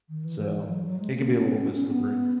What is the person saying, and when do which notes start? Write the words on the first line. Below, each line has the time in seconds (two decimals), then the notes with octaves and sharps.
So, it can be a little bit slippery.
0.09 D#3
0.24 E3
0.58 E3
0.70 F#3
0.85 F#3
1.00 G#3
1.15 A#3
1.29 C#4
1.45 B3
1.60 C#4
1.75 C#4
1.91 B3